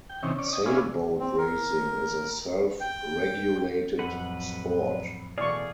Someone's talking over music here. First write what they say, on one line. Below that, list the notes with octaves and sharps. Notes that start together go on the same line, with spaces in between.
Sailboat racing is a self-regulated sport.
G5
C3 D#3 E3 C#4
C#4 D5
D#5
B3 C#4 D4 E4 F4 G#4
C4
A#4
G5
F2 A2 F#3 B4 F#5
B2 E3 A3 G#4 D5 F5 C#6